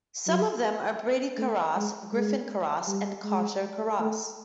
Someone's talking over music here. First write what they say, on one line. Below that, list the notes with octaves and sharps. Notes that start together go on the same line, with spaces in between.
Some of them are Brady Karras, Griffin Karras, and Carter Karras.
F#3
A3
G#3
G#3
G3
G#3
A3